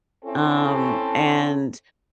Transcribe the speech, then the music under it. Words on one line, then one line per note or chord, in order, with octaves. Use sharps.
um, and,
C4 C#4 E4 A4